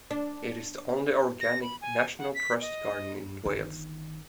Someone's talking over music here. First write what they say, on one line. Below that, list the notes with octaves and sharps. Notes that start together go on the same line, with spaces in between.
It is the only organic "National Trust" garden in Wales.
D4
A#6
B5
G#5
F#5
B6
D#5
G1 D#3